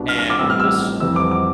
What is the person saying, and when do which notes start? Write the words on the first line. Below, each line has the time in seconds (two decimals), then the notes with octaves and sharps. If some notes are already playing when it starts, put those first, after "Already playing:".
and this
Already playing: C2 B2 B3 D4
0.09 F6
0.19 F6
0.30 D6
0.39 A1 A2 G3 C4 E6
0.50 F6
0.60 E6
1.00 F2 E3 G3 C4 E6
1.16 D6
1.31 D6